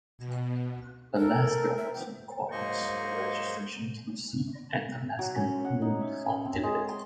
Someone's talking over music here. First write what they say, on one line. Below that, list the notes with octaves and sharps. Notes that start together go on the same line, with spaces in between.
Alaska also requires registration to receive an Alaska Permanent Fund dividend.
B2
A4 A#4
E5
D3 F3 B3 G5
G#2 F#3 A#3 C5 D#5 C#6
E6
F#3
C#4
F#5
D#4
E5
C#4
C4
G#3
C6